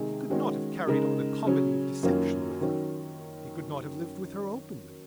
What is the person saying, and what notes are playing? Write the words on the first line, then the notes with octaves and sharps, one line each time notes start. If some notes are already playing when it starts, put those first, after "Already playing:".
He could not have carried on a comedy of deception with her; he could not have lived with her openly.
Already playing: C3 D#3 G#3 D#4 G#4
D#3 G#3 C#4 F#4
C#3 G#3 D#4 A#4
C#3 F#3 C#4
F#2 D#3 A#3 C#4 F4
D#3 F#3 C#4